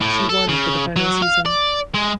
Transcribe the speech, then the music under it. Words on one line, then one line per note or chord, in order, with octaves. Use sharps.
She won for the final season.
A2
A4
C#3
F#3
F5
D5
G#3